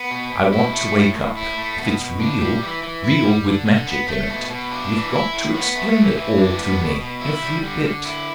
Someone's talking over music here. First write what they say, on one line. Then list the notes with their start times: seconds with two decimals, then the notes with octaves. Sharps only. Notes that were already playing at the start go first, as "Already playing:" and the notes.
I want to wake up. If it's real--real, with magic in it--you've got to explain it all to me--every bit.
Already playing: B3
0.11 B2
0.32 B2
0.53 E4
0.73 A3
0.95 A2
1.16 A2
1.37 E4
1.58 A3
1.78 B2
1.99 B2
2.20 D4
2.41 G3
2.62 E3
2.83 E3
3.04 E4
3.24 G3
3.46 D3
3.66 D3
3.87 B3
4.08 A3
4.29 B2
4.50 B2
4.72 D4
4.92 E3
5.13 E4
5.34 A2
5.54 B3
5.75 A3
5.97 E3
6.18 E3
6.38 D4
6.59 B3
6.80 B2
7.00 B2
7.21 E4
7.43 G3
7.64 D3
7.84 D3
8.05 E4